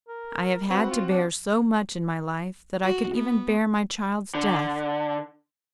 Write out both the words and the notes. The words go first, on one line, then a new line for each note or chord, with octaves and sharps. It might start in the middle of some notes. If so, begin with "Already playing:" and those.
I have had to bear so much in my life that I could even bear my child's death.
A#4
C4 F#4 B4 F#5
F4
D4
F#4
B3
D3